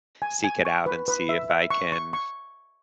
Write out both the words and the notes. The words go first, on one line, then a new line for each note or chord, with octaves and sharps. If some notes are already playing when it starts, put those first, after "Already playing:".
seek it out and see if I can
G#5
G#5
C#6
B4
B4
E5
E5
C#6
C#6
C#6